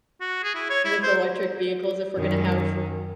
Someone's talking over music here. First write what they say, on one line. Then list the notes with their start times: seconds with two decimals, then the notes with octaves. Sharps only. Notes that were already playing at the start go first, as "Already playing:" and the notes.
with electric vehicles if we're gonna have
0.21 F#4
0.43 G#4
0.55 E4
0.70 C#5
0.84 E4
1.03 C5
2.16 F#2 D#3